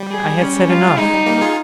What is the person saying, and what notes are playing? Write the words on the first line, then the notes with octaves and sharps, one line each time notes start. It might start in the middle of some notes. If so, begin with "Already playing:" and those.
I had said enough.
Already playing: G3
G#4
C#4
F4
G#3 D#4
G3
G3 A#3
F4 G#4